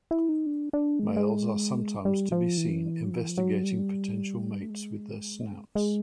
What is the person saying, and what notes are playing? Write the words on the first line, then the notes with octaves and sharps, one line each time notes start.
Males are sometimes to be seen investigating potential mates with their snouts.
E4
D#4
D4
D4
G#3
A3
G#3
G3
F3
E3
F#3
F3
E3
F3
F#3
G3
F#3
G3
A3
G#3
G#3